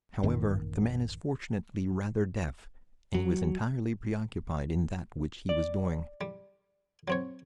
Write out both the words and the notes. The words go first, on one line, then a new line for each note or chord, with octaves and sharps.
However, the man is fortunately rather deaf, and he was entirely preoccupied in that which he was doing.
A1 F#2 D#3 A#3
F#3
D5
G3
F#3 C4 C#5